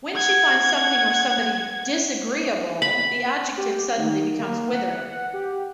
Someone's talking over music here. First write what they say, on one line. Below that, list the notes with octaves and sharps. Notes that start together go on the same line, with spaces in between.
When she finds something or somebody "disagreeable," the adjective suddenly becomes withering.
F#5 G#6
B5
G4
D#3
A#3
F#5
F#5
G4